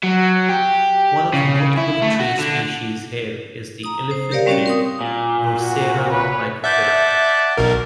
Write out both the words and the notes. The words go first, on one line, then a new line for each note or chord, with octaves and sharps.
One of the notable tree species here is the elephant tree, "Bursera microphylla".
F#3
G4
C#3
E4
A3
F#4
D3
A#5 D#6
C5
G4 A#4 C#5 D5 F5
G3 C4 C#4 F#4 C#5
A#4 C6 D#6
A#2
F#4
B4 C#5
D5 E5 F#5 A5 G6
B1 B2 A#4